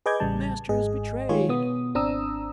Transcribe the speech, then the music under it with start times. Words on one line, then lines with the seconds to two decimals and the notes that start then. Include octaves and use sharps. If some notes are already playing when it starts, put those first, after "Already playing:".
"The Master is betrayed!"
0.06 G#4 B4 D#5 D6 G6 G#6
0.20 A1 C#3 G3 A5
0.69 G#1 G#2 G#4 D#5
1.29 D#3 G#3 F4 G4 G#4 C#5
1.49 B2 B3 D#6
1.95 G#1 C4 D4 A#5 D#6 E6